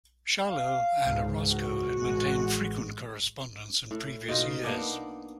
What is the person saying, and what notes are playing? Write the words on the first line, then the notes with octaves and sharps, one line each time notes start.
Charlot and Orozco had maintained frequent correspondence in previous years.
F5
C#2 G#2
F#4
A1 G#3
A2
B2 D#4 F4 D#5
A#3 B3 D4 D#4